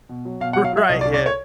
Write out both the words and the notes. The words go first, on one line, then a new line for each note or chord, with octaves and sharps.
R right, yeah.
B2
F#3
B2 F5
F#5
F#3
F5
F#3 E5
C2 D#5
D5
C2
D5
C#5